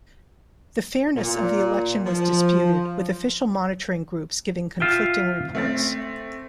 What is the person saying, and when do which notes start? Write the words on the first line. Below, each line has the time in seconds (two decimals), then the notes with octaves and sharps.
The fairness of the election was disputed, with official monitoring groups giving conflicting reports.
1.17 A#2
2.06 F3
4.80 F4 E5 G5
5.55 A3 C4 A6